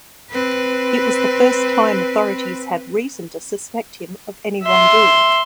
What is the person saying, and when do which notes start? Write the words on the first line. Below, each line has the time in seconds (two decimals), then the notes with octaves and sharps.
It was the first time authorities had reason to suspect him of any wrongdoing.
0.31 C4 B4
4.63 E5 C6